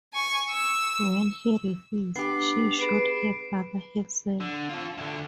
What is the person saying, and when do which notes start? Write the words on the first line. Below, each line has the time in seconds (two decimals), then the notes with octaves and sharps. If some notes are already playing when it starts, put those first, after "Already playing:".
When he refused, she shot her father herself.
0.13 G#5 C#6
0.50 E6
2.16 B3 D4 G4 C7
2.79 G#4 B4 C7 D7 E7
4.41 D3
4.70 F4 A4
4.98 D2 D3